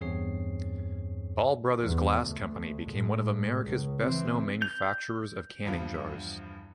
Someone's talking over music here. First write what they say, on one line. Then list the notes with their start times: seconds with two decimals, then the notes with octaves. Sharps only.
Ball Brothers Glass Company became one of America's best-known manufacturers of canning jars.
0.01 E2 G2 C4 G#4 C#5 C7
1.82 E2
2.23 D2
2.87 A2 G#3
3.66 C#2
4.01 E3 C4
4.62 G6 F7
5.65 E2 G2 F3